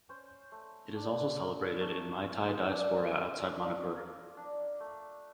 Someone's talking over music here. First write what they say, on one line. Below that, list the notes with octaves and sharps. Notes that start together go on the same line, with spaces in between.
It is also celebrated in Meitei diaspora outside manipur.
C#4 C5
A3
D4
A#3
A3 C#5
F4
D4 D5
A#3
C#4 D5
A#3
D4
A3